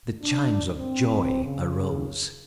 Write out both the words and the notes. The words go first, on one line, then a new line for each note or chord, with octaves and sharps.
The chimes of joy arose.
D4
C4
C#3